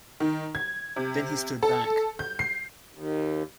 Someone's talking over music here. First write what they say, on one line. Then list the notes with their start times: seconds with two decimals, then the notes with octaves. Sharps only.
Then he stood back.
0.20 D#3
0.55 G#6
0.96 C3
1.63 A4
2.19 G6
2.39 C7
2.92 D#2